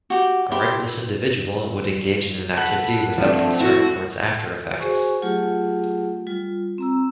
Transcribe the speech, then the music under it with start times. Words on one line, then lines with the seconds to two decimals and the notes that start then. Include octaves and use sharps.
A reckless individual would engage in an activity without concern for its after-effects.
0.10 F#4 G4
0.52 E4 G4 C5 G5
2.57 A4 F#5 B5
3.18 F3 A3 C4 D4
3.60 E4 F#4
4.80 F#4 G#4 C5 G#5 C#6
5.22 F#3 A3 F4 G4 G#4 F#5
6.27 G3 F4
6.78 C4 A#5 E6